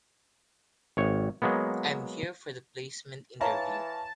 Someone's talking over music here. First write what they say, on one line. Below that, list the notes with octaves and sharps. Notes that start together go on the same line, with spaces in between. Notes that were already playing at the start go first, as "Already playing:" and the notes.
I'm here for the placement interview.
G#1 C#5
F#3 G#3 A#3 B3
E3 C#5 F5 A5 A#5